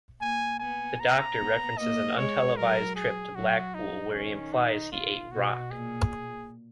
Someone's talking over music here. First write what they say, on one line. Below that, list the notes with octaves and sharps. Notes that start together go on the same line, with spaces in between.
The Doctor references an untelevised trip to Blackpool where he implies he ate rock.
A#3 G#5
B3 G#5
A#5
B3
A#3 D#5
G#3 C#5
F#3 A#4
G#4
F#3 F#4
D#4
D#3 C#4
D#4
F4
B2 F#4
A#2 G#4